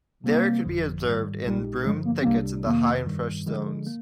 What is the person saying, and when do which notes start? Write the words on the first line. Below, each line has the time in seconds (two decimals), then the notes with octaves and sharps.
There it could be observed in broom thickets in the high and fresh zones.
0.24 C3 G3 A#3 C4
0.65 G1 F2 D3 F3
1.05 G#2 D#3 G3
1.45 A#1 A#2 G3 G#3 D#4 G4
1.85 G2 D3 F3 G#3
2.05 A#3
2.21 C4
2.25 C2 C3 G3 A#3 D4 G4
2.66 F2 C3 D#3 A#3
3.06 G2 D#3 G3
3.46 D3 F3 G#3
3.87 A#3